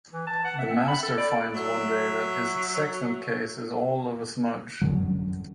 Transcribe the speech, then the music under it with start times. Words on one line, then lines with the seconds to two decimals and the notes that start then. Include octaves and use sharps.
The master finds one day that his sextant case is all of a smudge.
0.13 E3
0.27 A5
0.45 F#5
0.59 E5
0.71 C4
0.88 B5
1.03 A4
1.17 D5
1.54 F#3 E5
4.81 F#2 D3 F#3